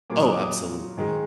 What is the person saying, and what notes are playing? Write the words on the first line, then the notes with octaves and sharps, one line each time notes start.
Oh, absolutely.
A#2 F#3 A#3 D6
D#6
D6
D#6
G#2 D#3 G#3